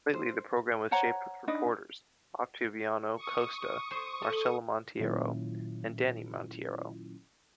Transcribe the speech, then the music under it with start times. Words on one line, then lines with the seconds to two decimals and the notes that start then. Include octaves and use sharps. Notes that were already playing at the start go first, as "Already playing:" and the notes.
Lately, the program was shaped with reporters: Otaviano Costa, Marcela Monteiro and Dani Monteiro.
0.14 C5
0.91 C5 C#5 F#5 A#5
1.48 D4 D#4 B4 D#5
3.16 C#6 D#6
3.91 C5
4.22 A4
5.00 A#2 D#3 F#3 C#4 E4 F4